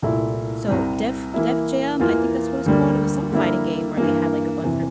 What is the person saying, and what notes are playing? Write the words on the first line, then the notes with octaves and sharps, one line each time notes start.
So Def Def Jam, I think that's what it's called, it was some fighting game where they had like a bunch of
C2 A#2 A3 E4
C2 C3 G3
E3 A#3 E4
E2 E3 A#3 F4
D2 D3 G3 A#3
D3 G3 A#3 E4 A#4
G2 E3 A#3
E2 C3 E3